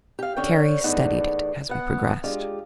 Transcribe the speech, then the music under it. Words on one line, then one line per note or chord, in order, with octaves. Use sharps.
Terry studied it as we progressed.
G4 F5
D3 C#4 C#5 G5
E2 A2 D4 D#4 F#5
B3 F#5
G#3 D4 F4 G4